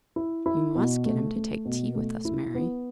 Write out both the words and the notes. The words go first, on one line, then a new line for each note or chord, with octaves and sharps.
"You must get him to take tea with us, Mary."
E4
E4
B2
A3
A3
B2
A3
E4
B3